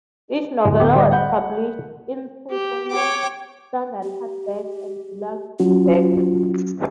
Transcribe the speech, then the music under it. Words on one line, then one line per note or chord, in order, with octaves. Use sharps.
Each novella was published in two formats: standard hardback and deluxe hardback.
D1 G#3
B3 G4
G3 D5 D#5
F#5 B5 G6
G4
C#5 G5 D6
G4
F#3 C#4 F4 F#4